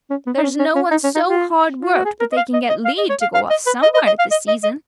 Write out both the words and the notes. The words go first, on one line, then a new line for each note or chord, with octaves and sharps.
There's no one so hard worked but they can get leave to go off somewhere at this season.
C#4
B3
D#4
C#4
C#4
C#4
D#4
C#4
D#4
F4
F4
F#4
G#4
A#4
D#5
F5
D#5
D#5
F5
D#5
C#5
F5
F5
D#5
B4
D#5
D#5
D#5
F5
D#5
D#5
D#5